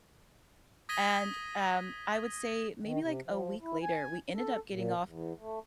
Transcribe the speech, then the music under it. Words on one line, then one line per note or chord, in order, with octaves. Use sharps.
And, um, I would say maybe, like, a week later, we ended up getting off
D#6 G#6 A#6 B6 D#7 G7
D#3
C3
F3
E4
G#5
A4
A#2
E2
A3